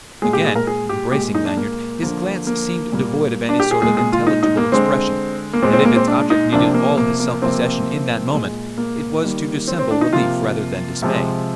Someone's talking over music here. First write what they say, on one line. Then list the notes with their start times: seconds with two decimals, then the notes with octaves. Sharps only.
Again, embracing Lanyard, his glance seemed devoid of any sort of intelligible expression; and if its object needed all his self-possession in that moment, it was to dissemble relief rather than dismay.
0.22 A#2 G#3 G#4
0.33 G4
0.45 G#4
0.55 A#4
0.67 G#4
0.89 G4
1.12 A#2 G#3 G4
1.35 D#4
1.46 D4
1.57 A#3
2.02 D3 F3 A#3
2.47 A#3
2.92 A#2 G3 A#3
3.49 D4
3.60 G4
3.71 G#4
3.82 A#2 G#3 G#4
3.97 G#4
4.12 F4
4.27 D#4
4.43 D#4
4.57 A#3
4.72 D3 G#3 C4
5.53 A#3
5.62 A#2 G#3 C4
5.73 C4
5.85 A#3
5.96 C4
6.07 D4
6.30 D#4
6.52 C3 F3 A#3 D4
6.74 A#3
6.97 A#3
7.20 A#3
7.42 C3 F3 A#3 C4
8.32 A#2 G#3
8.78 A#3
9.23 D#3 G3 A#3
9.68 C4
9.79 C4
9.91 D4
10.01 D#4
10.13 C3 F3 A#3 F4
11.02 C3 F3 G#3